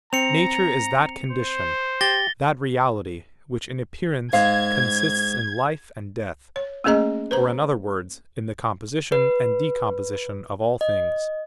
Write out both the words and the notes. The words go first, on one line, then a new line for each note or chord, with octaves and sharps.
Nature is that condition, that reality, which in appearance consists in life and death, or, in other words, in the composition and decomposition of all things.
C4 A#5 C#7 F7
C5
G4 A6 A#6 G7
G#2 F5 G#6
C#5
A3 A#3 C#4 G#4 D#5 A#5
B4 C5 A#5
B4
D#5